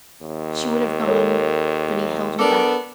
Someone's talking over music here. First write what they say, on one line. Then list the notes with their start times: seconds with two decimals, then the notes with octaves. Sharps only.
She would have gone, but he held her back.
0.22 D#2
1.08 A4 A#4 C#5
2.39 B3 D4 A4 A#4 D6